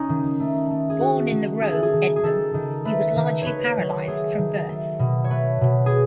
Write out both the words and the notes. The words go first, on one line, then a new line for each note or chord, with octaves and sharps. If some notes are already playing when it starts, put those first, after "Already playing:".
Born in the Row, Ednam, he was largely paralysed from birth.
Already playing: C#4 D#4
D#3
A3
A3
G#4
A3 F#4
D#3
A3 G#4
A4
G#4
D#3
G#4
D#3 A4
D#3
A3 B4
D#3
D#3 B4 C#5
F#3
A3 G#4
D#3
A3
B2
C#5
A3 B4
B2
G#4